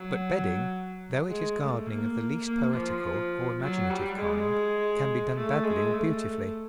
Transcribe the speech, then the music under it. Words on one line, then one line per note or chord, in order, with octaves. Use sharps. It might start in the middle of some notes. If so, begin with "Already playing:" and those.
But bedding, though it is gardening of the least poetical or imaginative kind, can be done badly or beautifully.
Already playing: F#3
G#3
A3
A#3
A#3
F3
F#3
G3
G#3
A3
G#3
A3